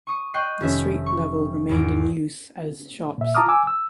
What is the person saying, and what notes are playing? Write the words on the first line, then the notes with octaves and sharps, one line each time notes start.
The street level remained in use as shops.
C#6 D#6 C#7
D#5 G5 C#6 F#6 C7
F1 D#3 C#4 E5
C#6
G#1 E2 D7
A#2 E5
F4 A5 A#5 D6 D#6 F6
G#5 D6 E6
E6